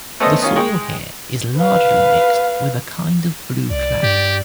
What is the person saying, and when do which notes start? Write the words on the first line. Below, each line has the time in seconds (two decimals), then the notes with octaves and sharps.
The soil here is largely mixed with a kind of blue clay.
0.20 A3 B3 C#4 A4 C5 D#5
0.42 D#3 C#4 F4
0.56 G#3 G5 C#6
1.58 B4 F5
3.71 C2 D5
4.03 G2 G4